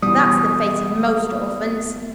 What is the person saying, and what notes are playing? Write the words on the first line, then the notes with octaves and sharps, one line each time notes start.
That's the fate of most orphans.
B2 E3 G3 D#6